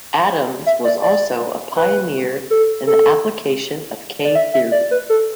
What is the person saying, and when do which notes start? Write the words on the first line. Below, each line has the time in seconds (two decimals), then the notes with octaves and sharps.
Adams was also a pioneer in the application of K-theory.
0.66 E5
0.85 D5
1.03 D5
1.77 B4
2.51 A4
2.87 A4
4.25 D5
4.35 E5
4.54 E5
4.72 D5
4.91 B4
5.10 A4